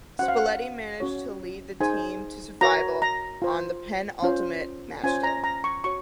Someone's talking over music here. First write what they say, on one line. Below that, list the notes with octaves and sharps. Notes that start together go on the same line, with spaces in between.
Spalletti managed to lead the team to survival on the penultimate matchday.
C#4 F#4 C5 F#5
F5
F#5
C#4 F#4 C#5
D#4 G#4 C5 G#5
F#4 A#4 C#5 A#5
A#5
F4 C5
C#4 F4 C5
C#4 F4 C5 G#5
A#5
A#5
C#6
F#4 C#5 C#6